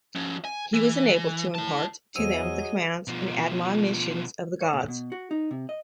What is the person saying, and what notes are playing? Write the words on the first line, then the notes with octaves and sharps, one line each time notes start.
He was enabled to impart to them the commands and admonitions of the gods.
F3 C#4
G#5
E3
E4 A5
E2 F#3 G#4 C5 D#5 E6 D#7
B2 F3
C#5
A#2
B2
F#4
D#4
C3
D#5